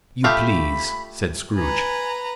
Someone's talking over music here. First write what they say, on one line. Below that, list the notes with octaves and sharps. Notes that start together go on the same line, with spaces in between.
"If you please," said Scrooge.
A3 F4 G4 B5
B4 G#5 A#5